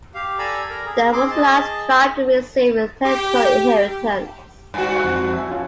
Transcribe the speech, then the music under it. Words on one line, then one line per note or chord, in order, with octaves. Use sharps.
Dan was the last tribe to receive its territorial inheritance.
G4 F5
A4 D5 G#5 A#5 B5 E6
A#4 A#5
G#4
C4 G#4 C6 D6
G#4 D#5 A5
G4
G2 F#4
F2 A5
E5 G#5
C#4 F4 A5